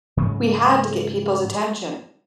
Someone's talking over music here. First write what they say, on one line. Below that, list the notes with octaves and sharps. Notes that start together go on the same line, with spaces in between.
We had to get peoples' attention.
G#2 C#3 F#3 A3